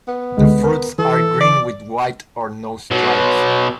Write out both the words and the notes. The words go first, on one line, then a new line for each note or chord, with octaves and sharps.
The fruits are green with white or no stripes.
B3
C#2 D3 G#3
A#4
E3 A4
D5
B2 F#3